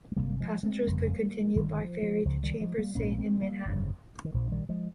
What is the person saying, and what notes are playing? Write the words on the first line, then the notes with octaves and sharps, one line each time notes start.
Passengers could continue by ferry to Chambers Saint in Manhattan.
G#3
G1 F2 C3 G3 A#3
G3
F3 G#3
G#3 C4
G1 F2 C#3 G3 A#3
G1 G2 D#3 G3
G#3
G3
F3
F3
C#2 C#3 F3
D#3 G3
F3 G#3
G3 A#3
A#1 G#2 A#3 C#4
G#3 C4
G3 A#3
G1 F2 C#3
D#3
A#1 A#2 F3
D#3 G3
F3 G#3